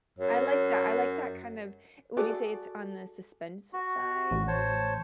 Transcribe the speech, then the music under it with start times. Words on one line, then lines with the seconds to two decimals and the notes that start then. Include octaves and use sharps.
I like that I like that kind of would you say it's on the suspense side?
0.19 F#2 C#5
2.17 F#4 G#4 A4 D5
3.73 F#4
4.31 A1
4.48 C5 C#5 A5